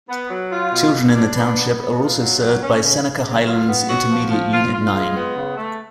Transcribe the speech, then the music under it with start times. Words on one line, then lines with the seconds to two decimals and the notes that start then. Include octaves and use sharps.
Children in the township are also served by Seneca Highlands Intermediate Unit Nine.
0.09 B3
0.30 F#3
0.51 F4
0.72 B2
0.93 B2
1.14 D4
1.35 B3
1.56 B3
1.77 B3
1.99 F4
2.20 F#3
2.40 F#3
2.61 C#4
2.82 C#3
3.03 C#3
3.25 F#3
3.46 F4
3.67 B3
3.88 F#4
4.09 F3
4.30 F3
4.52 F4
4.73 F4
4.93 G#3
5.15 B3
5.36 C#3
5.56 A3